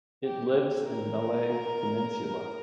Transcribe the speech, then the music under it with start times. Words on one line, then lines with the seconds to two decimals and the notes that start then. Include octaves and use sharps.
It lives in Malay Peninsula.
0.24 G4
0.85 A#4